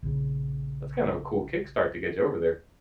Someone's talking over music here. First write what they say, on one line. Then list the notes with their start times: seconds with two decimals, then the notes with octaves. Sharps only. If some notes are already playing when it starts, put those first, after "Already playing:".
that's kind of a cool kick start to get you over there.
0.03 A#1 C#3